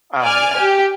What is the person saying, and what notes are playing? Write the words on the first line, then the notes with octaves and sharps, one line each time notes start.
Oh, yeah.
D5 G#5 F6
G4